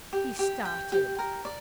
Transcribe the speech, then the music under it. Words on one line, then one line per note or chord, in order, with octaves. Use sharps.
He started.
G4
G4
G5
G4
A#4
D5